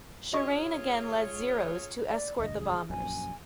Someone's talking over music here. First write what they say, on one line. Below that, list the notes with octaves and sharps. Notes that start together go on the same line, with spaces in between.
Shirane again led Zeros to escort the bombers.
F4 F#4 G#4 C#5 D#5 C#6
D5
E1 D2 G2 D#5
G#4
A#1 F#2 G#5